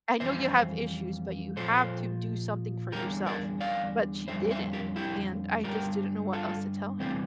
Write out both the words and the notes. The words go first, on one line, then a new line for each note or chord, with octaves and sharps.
I know you have issues, but you have to do something for yourself," but she didn't and, I just didn't know what else to tell her.
F2 E3 G3 C5 E5
A#2 F3 A4 C5
E2 D3 G3 G4 A#4
A#4 D5
D5 F5
F2 D3 G3 C5 E5
C5 E5
G4 A#4
E4 G4
G2 D3 G3 G4 A#4
F4 A4
E2 C3 E3 G3 A3 C4